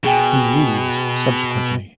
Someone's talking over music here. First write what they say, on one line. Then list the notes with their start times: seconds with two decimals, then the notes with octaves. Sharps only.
He leaves subsequently.
0.04 B2 G#4 G5 G#5